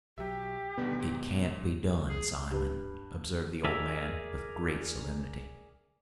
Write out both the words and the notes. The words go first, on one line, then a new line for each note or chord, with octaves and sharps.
"It can't be done, Simon," observed the old man, with great solemnity.
B1 F#3 G4 E5
D2 B2 D3 D#3 G3 B3
G#2 F#3
G#4
G2 G4 B4
G#4 A#4 D5 E5